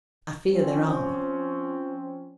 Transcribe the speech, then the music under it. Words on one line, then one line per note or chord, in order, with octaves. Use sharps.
I fear there are.
F3 C4 C#4